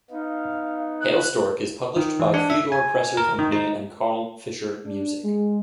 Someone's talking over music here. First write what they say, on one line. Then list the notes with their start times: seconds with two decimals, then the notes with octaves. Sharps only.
Hailstork is published by Theodore Presser Company and Carl Fischer Music.
0.11 B3 D#4 F5
1.01 F#6
1.96 D#3
2.20 E3
2.34 D4
2.50 E5
2.72 G#5
3.17 A#4
3.38 D#3
3.52 D#4
4.85 D4
5.24 G#3